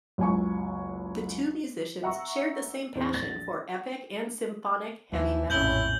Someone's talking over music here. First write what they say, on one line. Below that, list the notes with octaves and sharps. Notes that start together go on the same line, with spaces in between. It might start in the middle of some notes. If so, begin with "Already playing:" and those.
The two musicians shared the same passion for epic and symphonic Heavy Metal.
F#1 C#2 G#5 C#6
E5 F#5 A#5 C#6 E6
E2 C4
A#1 A6 A#6
D#2 E3 F3
A#1 F2 A2 C#4 E4 G6 F#7 G7